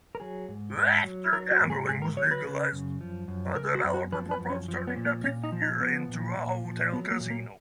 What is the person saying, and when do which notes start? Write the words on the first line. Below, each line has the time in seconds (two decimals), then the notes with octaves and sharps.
After gambling was legalized, a developer proposed turning the pier into a hotel-casino.
0.15 A#4
0.20 F#3 G#4
0.49 G#2
0.77 G#2
1.04 F#3
1.32 F#3 A#4
1.51 F#4
1.60 G#2
1.70 G#4
1.89 G#2 G#4
2.02 A#4
2.17 F#3 C#5
2.31 B4
2.45 C#3
2.72 F#2
3.01 F3
3.28 F#2
3.56 C#3 A#4
3.75 F#4
3.84 F#2
3.94 F#4
4.12 F3 B4
4.31 B4
4.40 F#2
4.50 C#4
4.68 F3
4.87 B3
4.96 A#2
5.05 A#3
5.24 A#2 C#4
5.44 D#4
5.52 F3
5.62 D#4
5.81 F3 B3
6.09 A#2
6.37 A#2
6.65 F3
6.92 F#3 B3
7.11 A#3
7.20 A#2
7.30 A#3